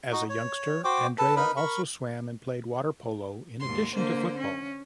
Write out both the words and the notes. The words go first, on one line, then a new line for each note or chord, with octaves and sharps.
As a youngster, Andrea also swam and played water polo, in addition to football.
D#4 F#4
C#5
F#4 C5 G5 D6
A4 B4 A5
D#4 A#4 B4 B5
A#4 B5 C#6
D#2 G#2 C6
D3 A#3 C5
C#4